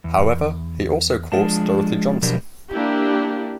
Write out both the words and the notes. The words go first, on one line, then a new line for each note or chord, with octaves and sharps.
However, he also courts Dorothy Johnson.
E2
F3 G#3 D4 A5
B2 F3 F#3 D4 G4 A#4
A#3 D4 E4 G4